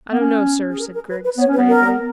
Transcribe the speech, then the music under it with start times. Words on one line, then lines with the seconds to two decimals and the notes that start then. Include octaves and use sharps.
"I don't know, sir," said Griggs gravely.
0.12 B3
0.20 C#4
0.70 G#4
0.79 A#4
0.94 A#4
1.08 B4
1.24 B4
1.38 B3 C#5
1.48 C#4
1.53 B4
1.58 B3
1.68 A#4
1.86 B3